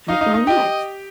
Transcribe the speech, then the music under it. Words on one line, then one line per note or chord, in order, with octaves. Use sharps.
I have my own life."
D#4 D#5 F5
D#4 D#5
D#4 D#5
G4 D#5 G5